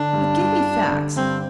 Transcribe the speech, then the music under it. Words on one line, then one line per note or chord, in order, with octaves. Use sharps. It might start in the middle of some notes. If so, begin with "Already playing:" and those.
But give me facts.
Already playing: D3 D4
G2
G2
G3
D3
G2 C4